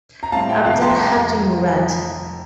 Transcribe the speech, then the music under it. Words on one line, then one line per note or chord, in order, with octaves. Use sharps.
Abdal Hakim Murad.
A#5
A2 G3 C4 F5 A5
E5 G5
C3 F3 A3 F5 A5
G5 A#5
A5 C6
G5 A#5
F2 C3 G3